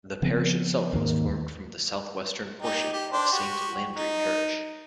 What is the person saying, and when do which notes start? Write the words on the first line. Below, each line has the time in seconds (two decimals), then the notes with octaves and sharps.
The parish itself was formed from the southwestern portion of Saint Landry Parish.
0.22 C#3 F3 B3 C4
0.93 D#2 G#2 D#3 A#3
2.62 D#4 G4
2.93 G4
3.13 D4 C5
3.32 F#4 G4
3.97 D#4